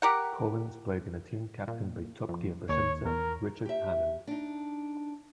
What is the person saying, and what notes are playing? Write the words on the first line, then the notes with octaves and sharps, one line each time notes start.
Collins played in a team captained by "Top Gear" presenter Richard Hammond.
G4 A#4 F#5
A#2
F2
D#2 C#5
E2 A#4
G4 E5
D4 D#4